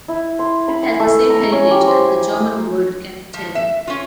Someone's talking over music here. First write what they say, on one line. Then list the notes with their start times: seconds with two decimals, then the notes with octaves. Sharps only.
It has the same heritage as the German word “Kapitell”.
0.08 E4
0.39 C6
0.68 B5
0.83 G#5
1.00 A3
1.30 A#5
1.52 C#4
1.71 G4
1.87 C5
2.08 G#5
2.33 D#6
3.34 F3
3.55 E5
3.87 C#4 F4